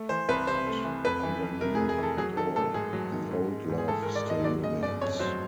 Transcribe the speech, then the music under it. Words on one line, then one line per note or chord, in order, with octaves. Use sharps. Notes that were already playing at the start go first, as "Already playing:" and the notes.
But underneath it all the old love still remains.
Already playing: A3
E3 C5
C2 B4
C3 C5
A3
E3
F2 B4
E3
F2
C3 A#4
G#4
F2
G#4
E3 A4
F#3 G#4
D#3 A4
A1 A4
G#2 G#4
F#3
D#3
G#2
G#3
G#2
G#4
E3 A4
A#4
G#2
D5
G#3 D#5
F#3 D5
C#3 D#5
G1 D5
F2 C#5
F#3 C5